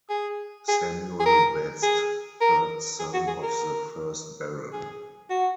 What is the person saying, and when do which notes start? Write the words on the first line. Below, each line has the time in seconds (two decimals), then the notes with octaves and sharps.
Samuel Best, third son of the first Baron.
0.10 G#4
0.68 G#4
1.20 G#4
1.26 A#4
1.83 G#4
2.41 A#4
2.99 G#4
3.14 F#4
3.27 G#4
3.43 A#4
4.73 G#4
5.30 F#4